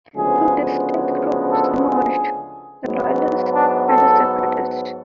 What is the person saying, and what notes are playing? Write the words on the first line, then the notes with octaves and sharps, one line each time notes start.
Two distinct groups emerged: the "loyalists" and the "separatists".
D2 C#3 F3 G#3 B3 G#4
A4
G#4
G#2 F#3 B3
D4
A4